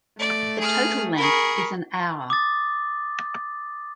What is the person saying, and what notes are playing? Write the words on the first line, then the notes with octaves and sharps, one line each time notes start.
The total length is an hour.
A3 D5
G#4 F6
G#4 A#4 B5 C#6
D6 D#6 A6